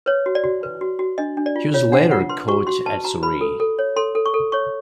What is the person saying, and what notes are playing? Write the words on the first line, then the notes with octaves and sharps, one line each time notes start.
He was later coach at Surrey.
B4 C#5
F#4
D5
F#4
B4
F#4
F#4
D4 D#5
D4
D5
F4
F4 C#5
D4 F#5
F4 F#5
B4 C6
F#4 C#6
F#4 C6
B4 A5
F#4 A#5
B4 B5
A4
A4
C#5
A4 C6
A4
C#6
A4
C#5 C#6